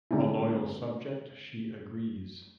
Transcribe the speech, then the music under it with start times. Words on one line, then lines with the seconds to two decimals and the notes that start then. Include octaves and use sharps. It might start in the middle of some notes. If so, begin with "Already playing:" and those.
A loyal subject, she agrees.
0.11 D3 G#3 C4 D4 E4